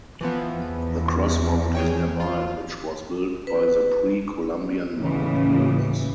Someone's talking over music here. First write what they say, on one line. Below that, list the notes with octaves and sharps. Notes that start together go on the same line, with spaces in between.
The Cross Mound is nearby, which was built by the pre-Columbian Mound Builders.
E3 F3 B3
E2
G#4 C#5 G5
F4
B4
D#2 A2 C#3 E3